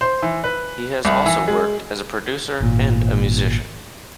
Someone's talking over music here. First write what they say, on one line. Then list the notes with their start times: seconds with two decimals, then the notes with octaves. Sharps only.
He has also worked as a producer and a musician.
0.01 C5
0.22 E3
0.44 B4
1.05 C2
1.26 E3
1.48 G#3
2.61 G#1 A#2